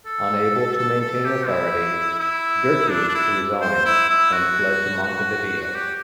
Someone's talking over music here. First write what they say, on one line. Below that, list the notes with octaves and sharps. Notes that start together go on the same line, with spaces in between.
Unable to maintain authority, Derqui resigned and fled to Montevideo.
A4
A4
A4
G4
E4
E4
D4
D4
E4
C5
E4
E4
F#4
F#4
G4